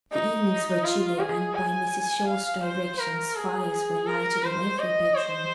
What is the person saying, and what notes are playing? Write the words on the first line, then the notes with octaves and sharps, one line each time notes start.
The evenings were chilly, and by Mrs. Shaw's directions fires were lighted in every bedroom.
D#4
F4
G#4
G#5
F5
C5
A#4
G#4
A#4
C5
D#5
C5